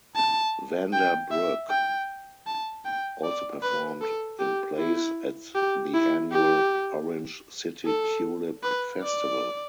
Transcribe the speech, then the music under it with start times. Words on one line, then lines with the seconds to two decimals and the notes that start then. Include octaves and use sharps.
Vander Broek also performed in plays at the annual Orange City Tulip Festival.
0.16 A5
0.92 G5
1.31 E5
1.70 G5
2.47 A5
2.85 G5
3.23 D5
3.62 B4
4.01 A4
4.39 G4
4.78 E4
5.55 G4
5.94 E4
6.32 G4
7.86 A4
8.63 B4
9.02 D5